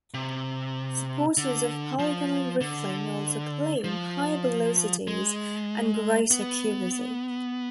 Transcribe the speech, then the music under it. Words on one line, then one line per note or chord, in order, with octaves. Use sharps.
Supporters of polygonal rifling also claim higher velocities and greater accuracy.
C3
D3
F3
D3
F3
G#3
B3